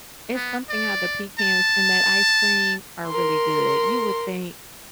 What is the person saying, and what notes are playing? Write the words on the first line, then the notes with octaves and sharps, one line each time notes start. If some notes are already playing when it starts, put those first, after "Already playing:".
It's something how the pecans in that ice cream are really good. You would think
B3
D5
A5
A#4 C6